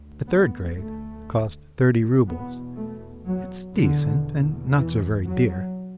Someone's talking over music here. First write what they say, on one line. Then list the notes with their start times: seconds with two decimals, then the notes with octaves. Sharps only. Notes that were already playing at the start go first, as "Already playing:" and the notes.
The third grade cost thirty roubles; it's decent and not so very dear.
Already playing: D2
0.28 B3
0.78 A3
1.77 E2 B2
2.27 B3
2.76 A3
3.26 F#3
3.76 E2 B2 D3
4.76 E3
5.25 F#3